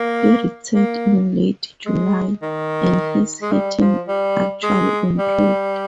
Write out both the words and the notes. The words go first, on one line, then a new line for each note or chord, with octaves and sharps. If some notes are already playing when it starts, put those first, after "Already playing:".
He returned in late July, and his hitting actually improved.
Already playing: A#3
A#3
G#3
D#3
G#3
G3
F3
G3
G#3
G3